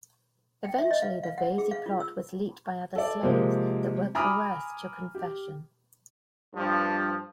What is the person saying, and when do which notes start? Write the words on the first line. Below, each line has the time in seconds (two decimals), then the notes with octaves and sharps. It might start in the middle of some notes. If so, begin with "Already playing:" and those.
Eventually, the Vesey plot was leaked by other slaves that were coerced to confession.
0.65 G5
0.78 E5
0.91 D#5
1.02 F5
1.23 F5
1.38 F#5
1.58 G#4
1.71 F5
1.86 F4
2.00 E6
2.96 A4 D5
3.23 C3 F3 G#3 A#3
4.15 G#5 A#5 B5 D6 D#6 F6
5.14 G4
6.54 G2 F3